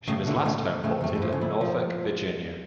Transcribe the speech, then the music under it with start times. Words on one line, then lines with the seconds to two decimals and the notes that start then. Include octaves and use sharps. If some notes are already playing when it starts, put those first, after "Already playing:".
She was last homeported at Norfolk, Virginia.
0.07 A2 C#3 A3
0.27 A#2 D3 A3
0.45 A2 C#3 A3
0.65 A3
0.84 A2 C#3 A3
1.01 E2
1.04 F2 A3
1.15 G2
1.22 A2 F3
1.33 C#3
1.41 A#2 E4
1.61 F3